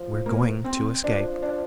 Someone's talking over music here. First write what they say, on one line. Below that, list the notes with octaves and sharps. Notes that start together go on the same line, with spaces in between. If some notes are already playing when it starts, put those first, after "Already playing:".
"We're going to escape!"
Already playing: F3
A#3
C4
F3 D4
D4